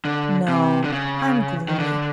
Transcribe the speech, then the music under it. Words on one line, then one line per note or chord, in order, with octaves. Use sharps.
No, I'm gloomy.
D3
C3
D3
C#3
D#3
D3